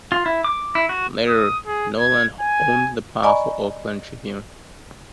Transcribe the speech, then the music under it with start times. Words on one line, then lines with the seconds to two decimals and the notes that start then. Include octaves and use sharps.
Later, Knowland owned the powerful "Oakland Tribune".
0.12 F4
0.26 E4
0.44 D6
0.75 E4
0.89 F#4
1.28 D#6
1.66 G#4
1.99 G#6
2.40 G#5
3.23 D5 D#5 G#5 A#5 B5 C#6